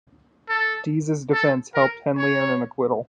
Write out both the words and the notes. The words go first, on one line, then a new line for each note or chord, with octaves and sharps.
Dees's defense helped Henley earn an acquittal.
A4
A4
A#4
C#5